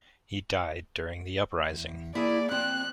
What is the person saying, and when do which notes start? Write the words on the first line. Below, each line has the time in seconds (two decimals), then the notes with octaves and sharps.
He died during the uprising.
1.72 E2
2.15 A#3 E4 G#4 D5
2.51 F3 C4 D5 G5 F#6